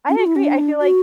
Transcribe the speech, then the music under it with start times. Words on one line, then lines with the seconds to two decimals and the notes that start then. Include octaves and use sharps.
I agree. I feel like
0.09 C#4
0.18 F#4
0.27 E4
0.36 C#4
0.44 D4
0.81 F#4